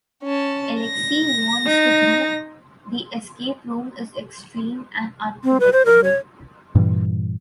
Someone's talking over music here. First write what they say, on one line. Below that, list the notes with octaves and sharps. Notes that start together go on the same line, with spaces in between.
Alexei warns the group the escape room is extreme and unpredictable.
C#4 A5
A#6
D#4
C4
B4
C5
A#4
C#5
G2 A#2 E3 G3